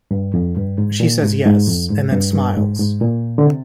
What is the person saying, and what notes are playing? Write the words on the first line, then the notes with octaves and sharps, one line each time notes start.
She says yes, and then smiles...
G2
F2
G2
G#2
A#2
G#2
G#2
F2
G#2
G2
G2
G#2
G#2
A#2
D3
C3